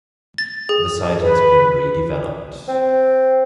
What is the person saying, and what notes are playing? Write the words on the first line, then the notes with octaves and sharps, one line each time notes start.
The site has been redeveloped.
A6
G#4
B4
C4